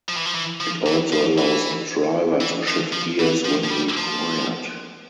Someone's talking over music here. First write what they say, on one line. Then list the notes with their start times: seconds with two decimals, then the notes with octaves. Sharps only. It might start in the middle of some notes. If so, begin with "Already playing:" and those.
It also allows driver to shift gears when required.
0.09 F3
0.17 E3
0.25 F3
0.35 E3
0.61 F3
0.86 E3
1.13 F3
1.38 E3
2.41 E3
2.68 F3
2.93 F3
3.20 E3
3.45 F3
3.64 F3
3.71 G3
3.97 F3